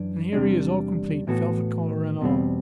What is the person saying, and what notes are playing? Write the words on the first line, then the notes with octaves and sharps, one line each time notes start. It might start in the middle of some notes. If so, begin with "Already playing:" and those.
And here he is all complete, velvet collar and all.
Already playing: F#2 E3 D4
E2 C3 G3 D4
A2 E3 B3 F#4 A4
E2 B2 G3 C4